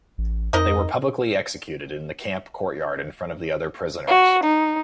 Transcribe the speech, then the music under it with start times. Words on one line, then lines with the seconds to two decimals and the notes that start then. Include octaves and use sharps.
They were publicly executed in the camp courtyard in front of the other prisoners.
0.18 A1
0.53 F2 D#4 A#4 D#5
4.07 F#4
4.45 D#4